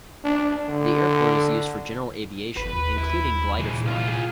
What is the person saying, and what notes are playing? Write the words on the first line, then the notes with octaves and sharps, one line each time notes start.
The airport is used for general aviation, including glider flying.
D4
D3
G1 B4
D#2
E4
A#2 E3 G#3
C2 F4
F4 G#4